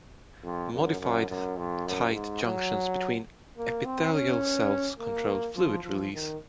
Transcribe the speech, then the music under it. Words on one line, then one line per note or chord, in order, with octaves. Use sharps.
Modified tight junctions between epithelial cells control fluid release.
F2
F#2
F#2
F#2
F2
F#2
G#2
F#3
A#3
C4
C#4
A#3
F3
F3
D#3